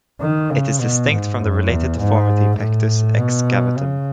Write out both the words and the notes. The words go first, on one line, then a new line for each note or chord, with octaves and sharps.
It is distinct from the related deformity pectus excavatum.
D#3
C#3
B2
G#2
F#2
E2
G#2
A2
B2
C#3